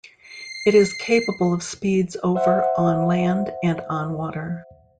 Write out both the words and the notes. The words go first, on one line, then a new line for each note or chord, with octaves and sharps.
It is capable of speeds over on land and on water.
C7
C5 E5 F#5